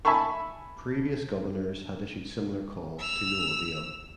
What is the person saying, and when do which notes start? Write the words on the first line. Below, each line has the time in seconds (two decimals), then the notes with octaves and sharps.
Previous governors had issued similar calls to no avail.
0.05 E5 G#5 A5 B5 C#6
2.99 E6 F7